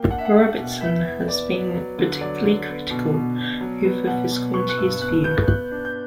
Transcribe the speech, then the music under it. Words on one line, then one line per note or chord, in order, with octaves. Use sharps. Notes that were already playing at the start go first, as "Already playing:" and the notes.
Robertson has been particularly critical over Visconti's view.
Already playing: A#3 G5
D4 F#5
E5
F#5
D4 E5
B2
B3 E5
E2
B3 D5
F#3
F#3
D3
F#3 D5
D3
B3
B2
B2
B2
F#3
B3
B2 F#5
B2
B3 C#6
F#6
G2 E6
B3 F#6
B3 G6
B3 F#6
D4
G6